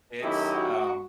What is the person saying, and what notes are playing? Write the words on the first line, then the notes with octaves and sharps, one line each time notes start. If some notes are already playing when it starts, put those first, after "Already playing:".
it's, um
F#2 D#3 A3 E4 G4 D#5
F#4